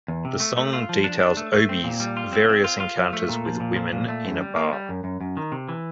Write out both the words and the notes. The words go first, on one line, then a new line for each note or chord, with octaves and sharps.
The song details Obie's various encounters with women in a bar.
E2
C3
A3
A3
F4
F3
D4
D4
A3
A3
C4
A#2
G3
F4
C4
C4
F4
F4
F3
A3
A#2
F3
A#2
F3
A#2
A3
F#2
G3
A#3
G3
F#2
F#2
F#2
D#3
C3
E3